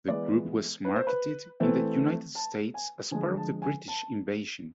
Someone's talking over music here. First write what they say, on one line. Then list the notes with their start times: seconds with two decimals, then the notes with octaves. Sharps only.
The group was marketed in the United States as part of the British Invasion.
0.08 E3 G#3 B3 D5
0.85 B4
0.96 C5
1.07 B4
1.60 E3 A3 C4 E4
2.35 A5
2.74 G#5
3.11 D3 F3 G#3 G#5
3.37 A5
3.62 G#5
3.88 A5